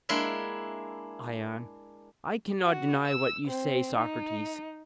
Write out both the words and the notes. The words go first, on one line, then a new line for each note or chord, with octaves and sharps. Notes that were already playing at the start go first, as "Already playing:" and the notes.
ION: I cannot deny what you say, Socrates.
G#3 A#3 D4 E4 E5
F#4
E6
C4
D#4